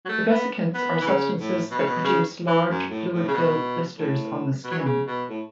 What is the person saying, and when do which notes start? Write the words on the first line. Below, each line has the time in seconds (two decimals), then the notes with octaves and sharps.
The vesicants are substances that produce large fluid-filled blisters on the skin.
0.05 F#3
0.09 A3
0.30 B3
0.75 B3
1.01 E3
1.07 C#3
1.40 A2
1.71 B2
1.79 C#3
1.86 B2
2.04 C#3
2.47 E3
2.69 F#2
2.90 A2
3.12 A2
3.28 C#3
3.33 B2
3.99 A2
4.64 B2
4.71 F#3
4.78 E3
4.86 C#3
5.07 B2
5.30 A2